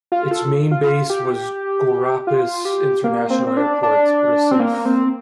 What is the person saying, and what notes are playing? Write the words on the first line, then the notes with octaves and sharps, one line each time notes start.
Its main base was Guararapes International Airport, Recife.
F4
A4
F4
G4
F4
G4
A#3
C4
C4
D4
D4
C4
A#3
C4